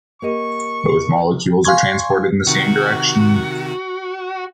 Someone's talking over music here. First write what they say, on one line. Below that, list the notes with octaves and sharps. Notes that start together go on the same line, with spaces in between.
Both molecules are transported in the same direction.
A#3 G4 D#5 C#6
F5 G#5 C6 C#6 G#6
C3 D#3 F#4